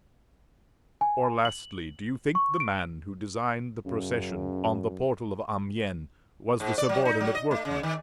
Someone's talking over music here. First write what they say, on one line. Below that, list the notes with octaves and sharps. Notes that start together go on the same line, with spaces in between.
Or, lastly, do you think the man who designed the procession on the portal of Amiens was the subordinate workman?
G#5
F#7
C#6
D7
F#2 C#3
G#2
D5
F#3
D#4
F#3
D#5
A3
C#3
D#3